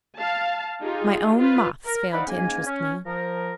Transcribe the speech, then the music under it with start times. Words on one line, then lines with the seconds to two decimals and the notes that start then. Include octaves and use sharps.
My own moths failed to interest me.
0.18 F5 A5
0.82 D#4 F4 G4 G#4
1.36 F4 B4
1.86 A#4
2.12 D#4 C5 D5 F5 F#5 B5
2.27 G#2 A#3 C#4 G#5
2.66 C#4
3.05 F3 A#4